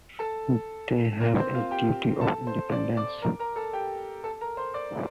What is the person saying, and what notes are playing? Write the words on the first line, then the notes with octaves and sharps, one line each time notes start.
They have a duty of independence.
A4 A5
A#3 A#4
C4 C5
F4 F5
G4 G5
A4 A5
C5 C6
D5 D6
D5 D6
A#4 A#5
A#4 A#5
A4 A5
G4 G5
A4 A5
A#4 A#5
C5 C6
D5 D6